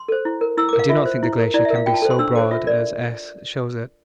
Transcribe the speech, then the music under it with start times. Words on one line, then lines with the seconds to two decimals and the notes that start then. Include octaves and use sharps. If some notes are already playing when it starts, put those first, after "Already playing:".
I do not think the glacier can be so broad as S. shows it.
Already playing: C6
0.08 A4 C5
0.25 E4
0.41 A#4
0.57 E4 E6
0.69 A#4 D6
0.79 F5
0.89 F4 E5
1.06 C5
1.23 E4
1.38 A#4
1.54 E4 D5
1.65 E5
1.70 A#4
1.75 F5
1.86 F4 G5
1.94 A5
2.02 A4 C5
2.11 C6
2.19 D4 E6
2.35 A4 C5 D6
2.51 F4 E5
2.67 A#4 D5